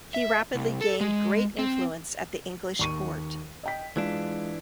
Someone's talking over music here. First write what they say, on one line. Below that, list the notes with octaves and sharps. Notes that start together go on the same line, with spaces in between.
He rapidly gained great influence at the English court.
E5
C2
A4
G#3
C4
D#2 C#6 D#7
D#5 G5 B6
E3 G#3 D4 F4